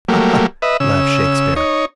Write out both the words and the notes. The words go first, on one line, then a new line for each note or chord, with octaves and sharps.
"Ha-ha!" laughed Shakespeare.
F#3 G3 A3 A#3
B4 D#5 E5
C#3 E6
D#4 C#5